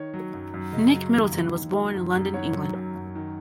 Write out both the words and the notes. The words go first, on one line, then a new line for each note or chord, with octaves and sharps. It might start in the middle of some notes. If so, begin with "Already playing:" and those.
Nick Middleton was born in London, England.
Already playing: D#3 C#5
F#3
F#2
F#2
C#3 D#5
F#3
D#2
D#2
D#3
F#3
F#2
F#2
D#3 C#5 F#5
F#3
F#2
F#2
D#3